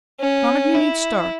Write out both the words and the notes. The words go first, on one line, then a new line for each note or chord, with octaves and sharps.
None of you need stir.
C#4
E4